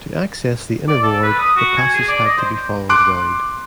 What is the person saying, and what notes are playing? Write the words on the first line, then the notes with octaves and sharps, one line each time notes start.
To access the inner ward, the passage had to be followed round.
D5
A4
B4
D#6
F#4
G#5
G#4
D5
D#5
C5
C6 D6 F#6 D7